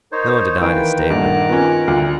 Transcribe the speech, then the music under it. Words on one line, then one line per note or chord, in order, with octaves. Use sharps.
No one denied his statement.
D#4 A#4 C5 C#5
D#3 E3 A#3 B4 G5
G2 A#2 A3 F#5 A#5 D6 F#6
B3 C#4 F4
D2